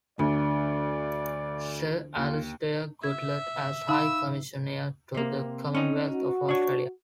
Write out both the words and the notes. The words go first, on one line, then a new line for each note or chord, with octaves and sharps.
Sir Alastair Goodlad, as High Commissioner to the Commonwealth of Australia.
D2 D3 D5
D#2 F4
E5 G#6
D#4 F5 B5 E6
C3 A#3 C4
C#4 D#4
F#4
D4 C#5